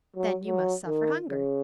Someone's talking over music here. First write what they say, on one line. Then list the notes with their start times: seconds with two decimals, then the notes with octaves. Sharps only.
"Then you must suffer hunger."
0.16 F#3
0.44 F#3
0.86 D#3
1.30 C#3